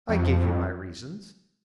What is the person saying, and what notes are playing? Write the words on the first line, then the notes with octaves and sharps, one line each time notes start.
"I gave you my reasons."
F2